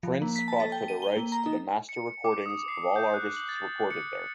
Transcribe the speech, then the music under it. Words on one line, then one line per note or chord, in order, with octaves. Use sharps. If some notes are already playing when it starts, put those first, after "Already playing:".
Prince fought for the rights to the master recordings of all artists recorded there.
F3
A#3
B6
A5
A4
G5
D#7
G7
A#3
A#5
D#4
C#7
D6
D#6
C7
G6
F#6
F#7
A6
C#7